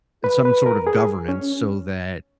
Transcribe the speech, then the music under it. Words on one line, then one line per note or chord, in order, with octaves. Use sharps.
and some sort of governance so that,
B4
B4
A#4
G#4
C#4